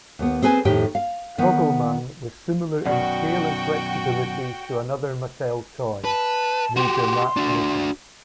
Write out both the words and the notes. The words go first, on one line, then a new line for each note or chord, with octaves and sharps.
Tog'lman was similar in scale and flexibility to another Mattel toy, Major Matt Mason.
D#2 B3
C4 G#4 B4 G#5
F2 A2 D#3 A3 G4 G5
F5
D#3 B3
F#2 B2 D#3 F#4 D5 F#5 G5
B4 A5
F#4 G4 C6
D4 F#4